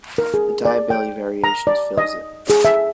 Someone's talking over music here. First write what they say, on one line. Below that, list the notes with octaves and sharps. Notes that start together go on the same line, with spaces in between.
The Diabelli Variations fills it.
A#4
G#4
D5
G5
A#5
D5
D#5
G#4
E5